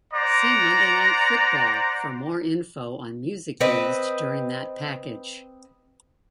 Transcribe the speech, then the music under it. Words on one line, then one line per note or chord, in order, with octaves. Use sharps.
See "Monday Night Football" for more info on music used during that package.
C5 D5 F#5 A#5
C4 B4 D#5